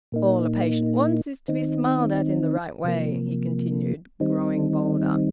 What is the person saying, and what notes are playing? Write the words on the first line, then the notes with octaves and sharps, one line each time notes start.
"All a patient wants is to be smiled at in the right way," he continued, growing bolder.
A#2 A#3 D#4
D#3 C4 D#4
C3 F3 A#3
D#3 G3 C4 D#4